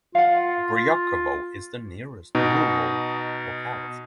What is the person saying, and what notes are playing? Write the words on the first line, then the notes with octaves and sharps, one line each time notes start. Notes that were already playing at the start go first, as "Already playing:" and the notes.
Bryokhovo is the nearest rural locality.
F4 F5 F#5
B2 D#4